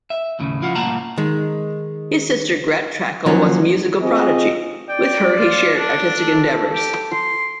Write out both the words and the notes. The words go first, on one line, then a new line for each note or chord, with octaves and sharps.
His sister Grete Trakl was a musical prodigy; with her he shared artistic endeavors.
E5
D#2 A2 C#3
F3 E4 F4 F#5
C2 A2 A#3 F#5 A5 A#5
D#3 G#3
D#3 F3 F#3 A#3 C#4
C4 F4 G#4 D#5
D5 G5
F4
D4 A4
G4
C6